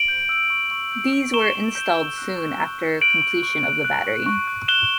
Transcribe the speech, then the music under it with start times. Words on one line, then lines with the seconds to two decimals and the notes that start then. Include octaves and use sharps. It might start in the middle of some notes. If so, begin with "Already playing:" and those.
These were installed soon after completion of the battery.
Already playing: D7 F#7
0.08 G6
0.29 E6
0.50 C#6
0.71 C#6
0.92 G6
1.13 E6
1.34 C#6 E7 G7
1.55 C#6
1.75 G6
1.97 E6
2.18 F#6
2.38 C#6
2.59 C#6
2.80 F#6
3.01 F#6 D7 F#7
3.22 C#6
3.43 C#6
3.64 F#6
3.84 F#6
4.06 C#6
4.26 C#6
4.47 F#6
4.68 F#6 E7 G7